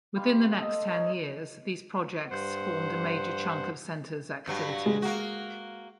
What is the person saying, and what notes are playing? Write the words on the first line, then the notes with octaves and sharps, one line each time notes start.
Within the next ten years, these projects formed a major chunk of Centre's activities.
G3 F5 C6
A4 D#5 A5 D#6
D#4 C#5
G2 C5 F#5
G2 F#3
G#3
A#3 F#4